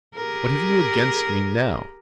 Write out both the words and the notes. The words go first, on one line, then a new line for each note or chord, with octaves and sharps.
What have you against me now?
G4 G#4 A#4